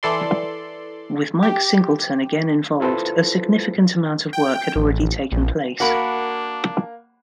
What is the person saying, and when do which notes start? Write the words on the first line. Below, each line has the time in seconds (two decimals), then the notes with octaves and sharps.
With Mike Singleton again involved, a significant amount of work had already taken place.
0.03 E3 A4 D5 C6
1.43 G4
2.80 E4 F4 A4 B4 C5
4.33 G5
4.76 A1
5.32 A#1
5.80 A#3 D4 F#4 A#4 F#5 B5